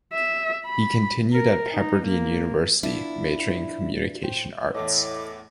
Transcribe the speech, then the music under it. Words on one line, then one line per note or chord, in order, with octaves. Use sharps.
He continued at Pepperdine University, majoring in Communication Arts.
E5
B5
A#4
D#4
A#3
B3 D4 E4 F4
A2 C5 G5
E2 A2 E3 A4 C#5 D#5 A5 D6